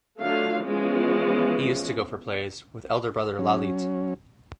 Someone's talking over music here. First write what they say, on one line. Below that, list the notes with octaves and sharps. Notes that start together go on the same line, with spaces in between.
He used to go for plays with elder brother Lalith.
D3 F#3 A3 F4 F5
E3 F3 G#3 B3 C#4 F4
F#3 C#4